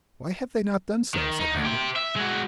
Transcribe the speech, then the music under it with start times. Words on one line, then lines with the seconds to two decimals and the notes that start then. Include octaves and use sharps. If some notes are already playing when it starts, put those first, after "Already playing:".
"Why have they not done so?" said Herbert.
1.14 D#3
1.39 D#4
1.53 D2
1.65 G4 C5
1.96 E5
2.16 G#3 F#4